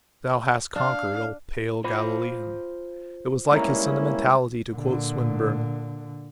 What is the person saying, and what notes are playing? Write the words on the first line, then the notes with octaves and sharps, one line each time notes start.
"Thou hast conquered, O pale Galilean." It was like his sentimentality to quote Swinburne.
D4 F5
F4 C5 B5
G#2 G3 A#3 C#4 E4 A#5
A#2 D3